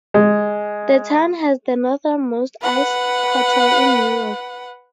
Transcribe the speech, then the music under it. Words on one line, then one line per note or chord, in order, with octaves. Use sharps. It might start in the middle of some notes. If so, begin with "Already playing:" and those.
The town has the northernmost ice hotel in Europe.
G#3
B4 F#5